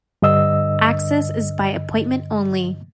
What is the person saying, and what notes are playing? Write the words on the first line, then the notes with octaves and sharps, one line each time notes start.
Access is by appointment only.
G2 D3 D#5 E6